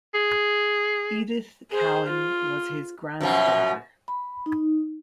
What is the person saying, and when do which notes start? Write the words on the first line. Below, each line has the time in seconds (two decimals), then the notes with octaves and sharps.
Edith Cowan was his granddaughter.
0.14 G#4
1.71 G#4 C5
2.07 F4
3.21 F#2 B2 F3
4.08 B5
4.46 D#4